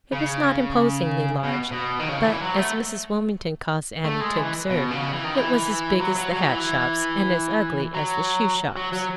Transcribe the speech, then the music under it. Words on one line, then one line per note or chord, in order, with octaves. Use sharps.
It was not imposingly large, but, as Mrs. Wilmington caused Annie to observe, it was as big as the hat shops and as ugly as the shoe shops.
C#3
B2
B2
D#3
C#3
E3
F#3
A3
A3
G#3
E3
B2
C#3
E3
D#3
E3
F#3
F#3
F#3
E3
F#3
F#3
F#3